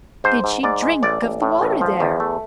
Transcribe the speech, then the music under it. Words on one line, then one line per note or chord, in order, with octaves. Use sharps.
"Did she drink of the water there?"
G#2 C5
G#2
G#2 D5
G#3
A1 D5
A1
A2
A1
F3
E2
A3